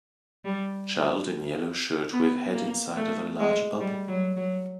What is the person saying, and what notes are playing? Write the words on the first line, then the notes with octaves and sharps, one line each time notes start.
Child in yellow shirt with head inside of a large bubble.
G3
B3
A#3
A3
G#3
G3
F#3
F#3